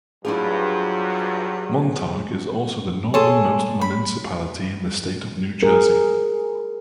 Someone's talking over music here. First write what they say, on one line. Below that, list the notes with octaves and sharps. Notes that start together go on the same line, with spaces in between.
Montague is also the northernmost municipality in the state of New Jersey.
G2 F3 F#3 D4 E4 G#4
G#4 A4 C#5 C6
B5
G#4 A#4